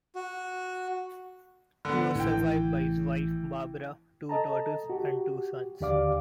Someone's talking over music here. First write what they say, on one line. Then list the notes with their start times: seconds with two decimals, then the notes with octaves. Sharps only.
He was survived by his wife Barbara, two daughters, and two sons.
0.15 F#4
1.85 D3 B3
2.15 A1 A2 E3 G5
4.29 A4 D#5 A5 A#5
4.90 F#4 G4
5.81 D#2 D3 G4 D5 F5 D6